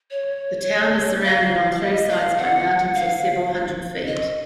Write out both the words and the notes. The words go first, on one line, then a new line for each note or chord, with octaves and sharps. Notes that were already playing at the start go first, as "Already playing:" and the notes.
The town is surrounded on three sides by mountains of several hundred feet.
C#5
F5
D#5
F5
F#5
F5
D#5